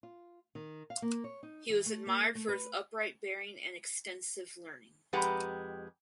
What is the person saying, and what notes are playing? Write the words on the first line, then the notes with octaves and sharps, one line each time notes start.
He was admired for his "upright bearing and extensive learning".
F4
D#3
F5
A#3
C#5
D#4
E3
A3
A#3
A3
B4
F2 G#3 G4 B4 F#5 A#5